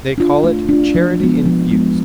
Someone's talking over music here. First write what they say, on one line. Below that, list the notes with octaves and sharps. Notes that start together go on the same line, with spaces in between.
They call it "charity infused."
D4 F4
A3
D4 F4
F3
G#3 B3
F3
G#3 B3